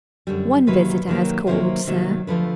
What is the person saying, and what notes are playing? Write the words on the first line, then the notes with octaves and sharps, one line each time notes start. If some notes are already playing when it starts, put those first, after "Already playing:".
"One visitor has called, sir."
F#2 D3 G3
C3 D#3 F#3 A#3 B4
C3 D#3 F#3 A#3
C3 D#3 F#3 A#3 C5
C3 D#3 F#3 A#3
D2 D3 F3 A3 B4